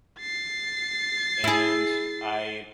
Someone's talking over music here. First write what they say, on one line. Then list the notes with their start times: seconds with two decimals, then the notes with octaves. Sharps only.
and I
0.20 A6 C7
1.44 E4 G#4